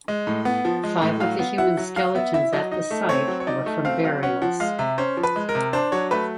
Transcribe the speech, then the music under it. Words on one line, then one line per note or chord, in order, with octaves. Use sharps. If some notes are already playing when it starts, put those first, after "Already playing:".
Five of the human skeletons at the site were from burials.
G#3
A2
B3
F3
G#3
A2
F#3 F5
B3
E4 F#5
F#3
F#3 F5
B3 E5
E4 E5
F#3 D#5
D#4 D#5
A3
C4 C#5
F#3
C#5
D#4 D5
A3
C4 F5
F#3 F5
C#4 F#5
F3 F#5
G#3 F5
C3 E5
C#4 C5
F3
B4
G#3
A#4
C3
D4 C5
F#3 C#5
A3 B4